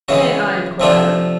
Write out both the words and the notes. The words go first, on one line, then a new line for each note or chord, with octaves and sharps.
May I inquire?'
C#3 E3 G#3 F#4
C3 F3 A3 D4 F4